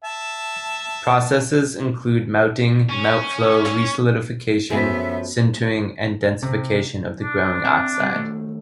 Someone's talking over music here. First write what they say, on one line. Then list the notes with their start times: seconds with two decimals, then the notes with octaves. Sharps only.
Processes include melting, melt-flow, re-solidification, sintering and densification of the growing oxide.
0.04 E5 A5
2.89 C#4
4.70 F#2 F3 A3 B3 G#4 E5
6.42 C3
7.22 D4
7.64 C4 E5
7.99 C#3 G3 C4
8.13 D#2 A3